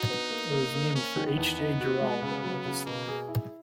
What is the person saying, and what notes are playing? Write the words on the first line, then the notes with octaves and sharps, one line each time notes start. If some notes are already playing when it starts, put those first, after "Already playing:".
It was named for H. J. Jerauld, a legislator.
Already playing: D#4 F#4
B3
A#3
A#3
A#3
A#3 C#4
D#3
B3
E2
D#4
F#4
G#3
C#3
F#3
C#3
B2 A#3
G#4
E4